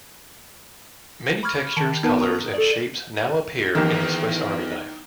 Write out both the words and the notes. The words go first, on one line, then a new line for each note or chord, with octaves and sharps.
Many textures, colors and shapes now appear in the Swiss Army Knife.
B5 C#6 D6 F6 G#6
D#3 A5
B3 D#4 A#4 B4 A5
A#5 C#6 D#6
A4 D5
E2 D#3 A#3 G4